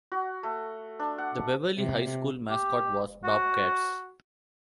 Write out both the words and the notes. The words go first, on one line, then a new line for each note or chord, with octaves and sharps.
The Beverly High School mascot was Bobcats.
F#4
A3
D4
F#5
C3
G4
F#4